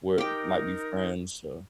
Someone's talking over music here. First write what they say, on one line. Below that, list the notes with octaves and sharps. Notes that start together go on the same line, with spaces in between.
where might be friends, so,
D#4 G4 A#4 G5